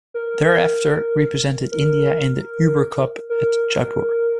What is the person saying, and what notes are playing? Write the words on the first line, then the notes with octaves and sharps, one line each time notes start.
Thereafter, represented India in the Uber Cup at Jaipur.
A#4
A#4
A#4